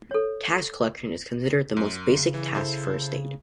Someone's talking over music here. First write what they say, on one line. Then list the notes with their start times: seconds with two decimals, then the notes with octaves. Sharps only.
Tax collection is considered the most basic task for a state.
0.11 A4 C#5
1.77 F#2
2.10 C#3
2.34 E3
2.54 E4 A4 C5